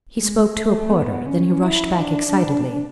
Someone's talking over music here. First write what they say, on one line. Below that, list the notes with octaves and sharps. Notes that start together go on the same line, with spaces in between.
He spoke to a porter; then he rushed back excitedly.
G#3
A3
B3
C#4
E4
D4